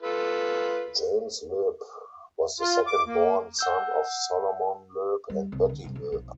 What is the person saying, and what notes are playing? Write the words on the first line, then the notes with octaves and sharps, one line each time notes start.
James Loeb was the second born son of Solomon Loeb and Betty Loeb.
F4 A4 B4
F4
D6
A#3
F#5 E6 G6
G3
C2
D3
G2 C3
B1
B1 F3